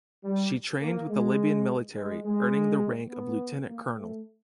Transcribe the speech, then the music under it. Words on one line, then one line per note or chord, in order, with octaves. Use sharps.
She trained with the Libyan military, earning the rank of lieutenant colonel.
G3
A#3
G#3
G#3
G#3
B3
A#3
A3